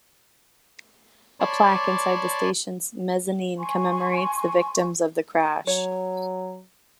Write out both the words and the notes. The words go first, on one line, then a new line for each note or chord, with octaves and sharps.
A plaque inside the station's mezzanine commemorates the victims of the crash.
C#5 D5 A5 B5 C6 D6
G#5 C6 C#6
F#3 C#5